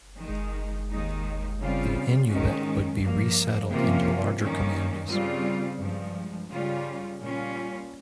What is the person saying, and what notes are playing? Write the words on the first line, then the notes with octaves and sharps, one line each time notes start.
The Inuit would be resettled into larger communities.
D#3 G#3 D#4
D#2 D#3 G#3 D#4
C#3 G3 C4 F4
G#2 D#3 G#3 C#4
G2 F3 A#3
C3 F3 A#3 C#4 F4
G2 D#3 A#3 C#4
C#3 G3 C4 F4
G2 F3 G#3
C#3 G3 C#4 F4
A#2 G3 C#4 F4